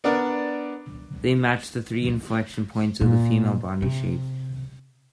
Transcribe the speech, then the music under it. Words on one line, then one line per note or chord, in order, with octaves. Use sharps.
They match the three inflection points of the female body shape.
B3 D4 A#4 D5
A#2
C3